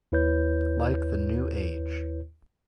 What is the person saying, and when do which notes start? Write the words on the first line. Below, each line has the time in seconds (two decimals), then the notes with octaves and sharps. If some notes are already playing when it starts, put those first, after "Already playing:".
Like the New Age.
0.12 D#2 E4 B4 C#5 G6